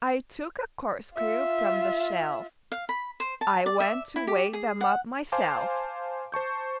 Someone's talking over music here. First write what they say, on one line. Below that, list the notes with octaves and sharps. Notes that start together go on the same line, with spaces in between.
I took a corkscrew from the shelf: I went to wake them up myself.
F4 E5
F5
B5
C5
A5
D5
E5
E4
G4
G#4
F#5
C5 F5 G#5 A5 C6 D6
C5 A5 C#6 G6